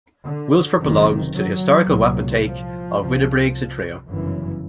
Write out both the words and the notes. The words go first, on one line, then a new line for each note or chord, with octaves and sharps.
Wilsford belonged to the historical wapentake of Winnibriggs and Threo.
D3
F#1 F2 C3 D#3
F#3
C2 A#2
F3
C2 C3
G1 F#2 C#3 E3